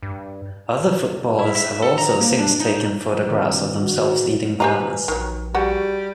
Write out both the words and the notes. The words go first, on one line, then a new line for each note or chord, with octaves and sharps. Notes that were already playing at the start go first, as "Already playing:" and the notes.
Other footballers have also since taken photographs of themselves eating bananas.
G2
E4
E5
A4
A#5
A#3
D4
D#4
D2 G2 C3 D#3
F#4
G4 B4 C5 F5 G#5 A#5
A#1 D#3 F#3
G3 F#4 G#4 F#5